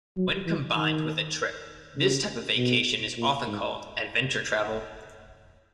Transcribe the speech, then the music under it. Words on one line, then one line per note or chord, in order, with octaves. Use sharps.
When combined with a trip, this type of vacation is often called adventure travel.
F#3
E3
D#3
C#3
B2
A#2
G#2